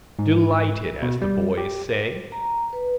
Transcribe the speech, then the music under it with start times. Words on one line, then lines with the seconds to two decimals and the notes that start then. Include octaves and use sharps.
Delighted, as the boys say.
0.19 G#2
1.02 B2
1.22 G3
1.58 G4
2.32 A#5
2.73 B4